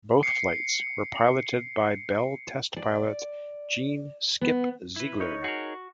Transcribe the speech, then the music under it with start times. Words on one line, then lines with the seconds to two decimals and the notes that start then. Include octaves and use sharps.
Both flights were piloted by Bell test pilot Jean "Skip" Ziegler.
0.23 C7 C#7
2.76 D5
4.41 B3
4.96 E4 B4
5.20 D#4 C#5
5.44 F#4 G#4 A#4